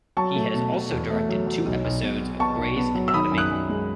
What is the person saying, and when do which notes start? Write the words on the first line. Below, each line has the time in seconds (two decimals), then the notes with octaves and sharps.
He has also directed two episodes of "Grey's Anatomy".
0.17 F#3 A5 C#6
0.36 A3
0.54 B2
0.72 B2
0.91 E2
1.10 A3
1.29 F#3
1.47 F#3
1.66 B1
1.85 B1
2.02 B2
2.21 B2
2.39 B3 A5 C#6
2.58 B1
2.76 B3
2.95 F#3
3.08 E6
3.13 D#3 B5 D#6
3.32 F#2
3.38 D#6 F#6
3.51 F#2
3.69 G#3